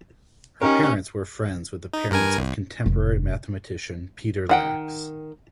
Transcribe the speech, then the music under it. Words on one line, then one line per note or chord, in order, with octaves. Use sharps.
Her parents were friends with the parents of contemporary mathematician Peter Lax.
C#4 D#4 G4 A#4
D#4
G2 A#4 G#5
C2
F1
D#3 F#5 G5